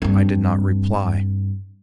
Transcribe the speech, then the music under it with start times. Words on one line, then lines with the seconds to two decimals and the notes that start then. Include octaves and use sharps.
I did not reply.
0.02 G2 C4